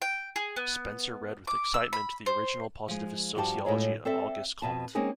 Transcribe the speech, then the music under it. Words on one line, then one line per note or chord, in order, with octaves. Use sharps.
Spencer read with excitement the original positivist sociology of Auguste Comte.
G5
G#4
B3
D6
E6
B5
C5
F3 G#3
G2 F3 F#4 G4 G#5 A5
A2 G#3 F4 C#5
C4 A4 D5 E5
F2 B2 A5
G#3 A#3 C4 C#4 D#4 G#4